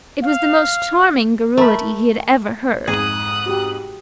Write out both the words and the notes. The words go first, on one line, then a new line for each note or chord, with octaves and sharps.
It was the most charming garrulity he had ever heard.
F5
A3 A#4 B5
F2 G#2 G#4 D#6 F#6
F#4 G4